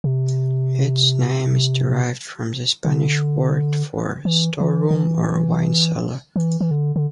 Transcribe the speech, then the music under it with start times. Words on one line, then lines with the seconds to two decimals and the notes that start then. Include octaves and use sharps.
Its name is derived from the Spanish word for "storeroom" or "wine cellar".
0.04 C3
2.85 D3
4.25 E3
4.60 E3
4.91 D3
4.95 E3
6.36 E3
6.61 E3
6.71 D3
6.96 D3